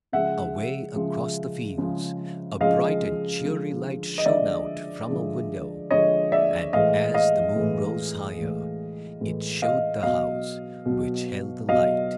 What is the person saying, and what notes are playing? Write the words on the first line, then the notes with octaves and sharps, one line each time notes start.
Away across the fields a bright and cheery light shone out from a window, and as the moon rose higher, it showed the house which held the light.
C#3 F3 G#3 E5 F#5
C#3 F3 G#3
C#3 F3 G#3
C#3 F3 G#3 D#5 F5
D3 F3 G#3
D#5
D3 F3 G#3 D5 E5
D3 F3 G#3
D3 F3 G#3 C#5 D#5
D5 E5
A2 E3 G#3 D#5 F5
D#5 F5
A2 E3 G#3
A2 E3 G#3
A2 E3 G#3
D#5 F5
B2 F#3 D#5 F5
B2 F#3
B2 F#3 D#5 F5